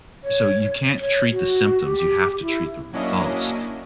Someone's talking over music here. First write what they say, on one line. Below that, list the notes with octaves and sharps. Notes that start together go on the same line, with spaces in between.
So you can't treat the symptoms, you have to treat the root cause
C#5
C#5
F#4
G4
E4
F#3 A#3 C#4 D4 E4 D#5